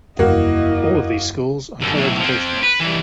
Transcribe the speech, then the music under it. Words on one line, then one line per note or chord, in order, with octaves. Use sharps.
All of these schools are coeducational.
F#1 E2 G3 A#3 E4 F#4 D#5
F#2 D3
B1 A2
F3 C4
B4
E3 G3